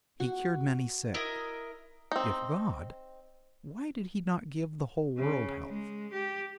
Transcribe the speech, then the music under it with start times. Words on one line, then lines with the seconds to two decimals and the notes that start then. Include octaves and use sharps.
He cured many sick: if God, why did he not give the whole world health?
0.20 F#4
1.14 E4 A#4 D#5
2.12 C4 D#4
5.18 C#3
5.68 G#3
6.13 G4